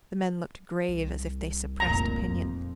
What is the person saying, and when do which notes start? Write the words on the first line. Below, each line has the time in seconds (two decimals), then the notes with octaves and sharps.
The men looked grave, as if they suppressed opinion.
0.88 C2
1.80 F1 A#2 A#3 A#5
2.22 F2